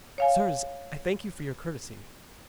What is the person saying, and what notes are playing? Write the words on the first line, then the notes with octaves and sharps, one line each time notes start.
'Sirs, I thank you for your courtesy.
C#5 F5 G#5